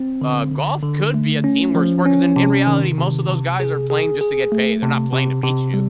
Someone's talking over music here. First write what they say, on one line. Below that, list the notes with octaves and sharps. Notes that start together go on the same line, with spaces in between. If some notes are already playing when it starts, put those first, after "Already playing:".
uh, golf could be a teamwork sport 'cause in in reality, most of those guys are playing just to get paid. They're not playing to beat you.
Already playing: C4
D3
D3
D3
A3
C#4
F3
C#4
C3
D#3
C3
C3
G#4
G#4
G#4
A3
C3
C3
C3
G3